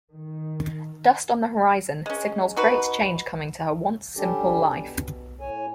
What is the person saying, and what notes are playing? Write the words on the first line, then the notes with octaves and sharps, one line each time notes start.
Dust on the horizon signals great change coming to her once-simple life.
D#3
G#3 C#4
D#4 F#4 B4
G3 C#4 D4 G4 A4
B2
A2 C#5 G#5